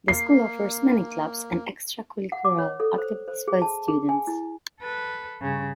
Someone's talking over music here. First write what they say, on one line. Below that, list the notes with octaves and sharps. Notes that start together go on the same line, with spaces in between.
The school offers many clubs and extracurricular activities for its students.
A#3 C7
F#5
D6
C#5
A4
C5
C5
G#4
A5
G#4
G#5
E4
A4 B4
G2 C#3